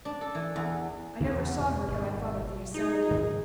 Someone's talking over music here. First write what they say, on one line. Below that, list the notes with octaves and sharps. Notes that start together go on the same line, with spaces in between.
I never saw her but I thought of the Yosemite.
D4
A4
E3
E2
E2 C#3 E3 F3
B2
G#1
D#4 G#4
G#2 D#3